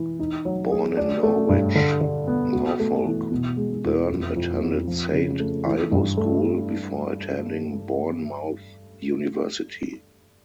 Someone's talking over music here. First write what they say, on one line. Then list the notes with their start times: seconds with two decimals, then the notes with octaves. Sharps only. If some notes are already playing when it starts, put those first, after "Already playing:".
Born in Norwich, Norfolk, Byrne attended Saint Ivo School before attending Bournemouth University.
Already playing: E3
0.20 D#4
0.45 F#3
0.72 G#4
0.97 D4
1.23 A3
1.49 G2
1.75 D3
2.01 D3
2.27 B3
2.53 F#4
2.80 A3
3.06 E3
3.32 B2
3.57 G#3
3.84 E2
4.10 F2
4.35 F2
4.61 F2
4.87 F3
5.14 C#3
5.40 A3
5.65 E3
5.92 G2
6.17 A3